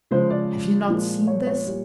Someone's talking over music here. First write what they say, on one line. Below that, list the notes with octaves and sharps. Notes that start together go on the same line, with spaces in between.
Have you not seen this?
C#3 F3 G#3 C5
D5
A#2 F3 G#3
C#5
C#5
A#2 G3